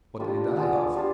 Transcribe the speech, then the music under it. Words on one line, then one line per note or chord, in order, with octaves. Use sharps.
"What did he die of?"
G3 D4 F4
B3 D4 F4 G#4
G3 D4 F4